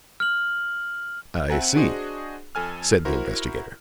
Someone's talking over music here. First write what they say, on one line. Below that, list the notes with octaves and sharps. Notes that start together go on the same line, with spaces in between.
"I see," said the investigator.
F6 F#7
C4 E5 F#5 G#5 A#5
D4 F#4 G#4 C5 D#5
F2 A4 G#5 F6
E4 F#4 A#4 C5